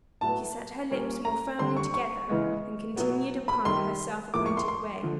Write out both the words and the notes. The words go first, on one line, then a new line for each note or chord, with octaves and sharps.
She set her lips more firmly together and continued upon her self-appointed way.
A2 F#3 B3 A5
A#2 G3 A#3 C#4
A#5
D3 G3 C4 C6
C#6
C#6
C#3 E3 G#3 B3
B2 F#3 B3
B5
C3 D#3 G3 C6
A2 F3 A#3 D6
C#6
C6
C6
D3 F3